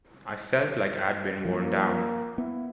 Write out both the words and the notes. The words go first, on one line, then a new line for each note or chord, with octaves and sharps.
I felt like I'd been worn down.
F3 A#3
B3 E4